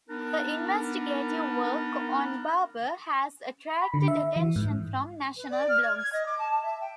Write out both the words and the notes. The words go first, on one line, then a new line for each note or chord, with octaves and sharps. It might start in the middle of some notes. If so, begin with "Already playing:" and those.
Her investigative work on Barbour has attracted attention from national blogs.
B3 D4 D#4 A#4
B5
D3
E5
E3
G#2
B4
D5
F6
G#6
G#6
D#5
D6
A5
A5
E5
G5